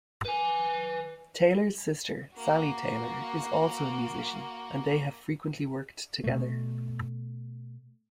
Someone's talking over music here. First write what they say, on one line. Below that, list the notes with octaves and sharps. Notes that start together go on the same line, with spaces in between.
Taylor's sister, Sally Taylor, is also a musician and they have frequently worked together.
B4 G#5
A#3 F#4
B2 A3